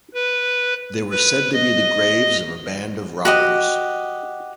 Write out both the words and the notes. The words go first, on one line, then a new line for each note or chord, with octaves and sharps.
They were said to be the graves of a band of robbers.
B4
B4
D#5
F#4 G4 D#5